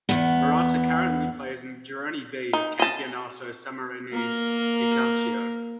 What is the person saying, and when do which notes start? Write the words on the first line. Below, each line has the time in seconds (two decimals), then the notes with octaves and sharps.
Murata currently plays in "Girone B" of Campionato Sammarinese di Calcio.
0.09 E2 B3
2.53 D#4
2.79 D#5 A5
4.12 A#3 A#4